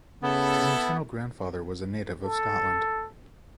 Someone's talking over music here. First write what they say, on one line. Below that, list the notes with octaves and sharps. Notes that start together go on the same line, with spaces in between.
His maternal grandfather was a native of Scotland.
C#3 B3 E4 A4
A4